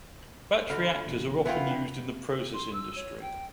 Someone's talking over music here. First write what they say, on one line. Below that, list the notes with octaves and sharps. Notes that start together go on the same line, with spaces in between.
Batch reactors are often used in the process industry.
D3 F#4 B5 F6
G#1 B2 F3
E3 B3 E4 F4 G5
D4 F#5 G5
C6
E6
C#5
G5